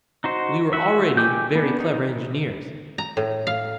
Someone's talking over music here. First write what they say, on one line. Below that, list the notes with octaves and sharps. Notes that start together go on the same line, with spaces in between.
We were already very clever engineers.
D#4 F#4 C5
F#4 E5
G5 G#5 D6 G6
B3 D4
D#4
A#5
A2
F5